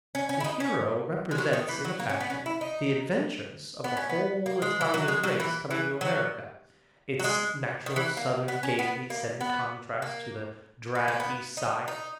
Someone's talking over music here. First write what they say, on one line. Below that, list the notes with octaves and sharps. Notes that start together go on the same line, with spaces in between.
The hero represents in a fashion the adventures of the whole Italian race coming to America: its natural southern gayety set in contrast to the drab East Side.
C#4
C#4
E4
D#4
C#4
G#3
F#3
D#3
E3
F#3
A#3
C#4
B3
C#4
E4
D#4
B3
C#4
B3
A#3
G#3
E3
F#3
G#3
F#3
E3
E3
F#3
F#3
G#3
D#3
E3
A#3
B3
C#4
B3
A#3
B3
A#3
B3
A#3
B3
D#4
D#4